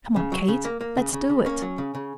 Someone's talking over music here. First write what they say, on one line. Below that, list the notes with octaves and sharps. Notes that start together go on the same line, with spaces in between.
Come on, Kate, let's do it!
C#3
F#3
C#3
A#3
A#3
C#3
C#3
C#3
A#3 C#4
F#3
C#3
C#3